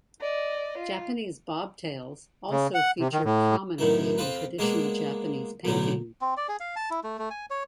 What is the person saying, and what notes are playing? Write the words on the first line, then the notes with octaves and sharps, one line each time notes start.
Japanese Bobtails also feature prominently in traditional Japanese painting.
D5 D#5
F4
C#3
F#5
C3
D#3
A2
F#2 A2 D#3 E3
F2 C4 F4 B4
G#3 A#3 B3 D4
B1 A2 D3 F#3
C4
D5
G#4
F5
A5
E4
A3
A3
G#5
C#5